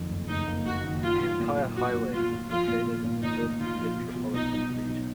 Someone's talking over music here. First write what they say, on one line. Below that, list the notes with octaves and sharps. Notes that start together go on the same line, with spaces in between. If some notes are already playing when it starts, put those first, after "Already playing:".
The entire highway is located in the Perth Metropolitan Region.
Already playing: F#1 F2 D#3
F#1
F#1 D#4
A#3
F#1 F#4
D#3
F#3 F4
F#3
A#2
F#3
F#3 F#4
A#2
A#2 F4
A#2
F3 F4
A#2
A#2
A#2
A#2 D#4
A#2
A#2 F4
F3
B2
B2
B1 D#4
B2
B2
F#3